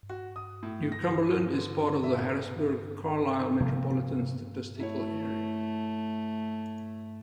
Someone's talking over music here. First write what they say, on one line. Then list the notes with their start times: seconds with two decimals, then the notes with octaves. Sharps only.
New Cumberland is part of the Harrisburg-Carlisle Metropolitan Statistical Area.
0.10 F#4
0.36 D#6
0.63 A2
0.92 A#6
1.53 D3
2.04 E5
3.60 C3 F3 A#3
4.80 A3 E4 C#5